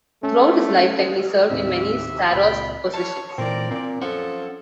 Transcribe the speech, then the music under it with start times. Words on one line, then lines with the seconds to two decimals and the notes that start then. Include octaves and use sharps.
Throughout his lifetime, he served in many "starost" positions.
0.23 A3 C#4
1.50 D#2 A2 C3 C4 E5
2.30 C#2 A#2 C4 G5 B5 E6
2.94 C#5 A5
3.38 A#2 E3 C4 A#4 D5
3.71 A#2 C4
4.01 F3 C#4 A4 F#5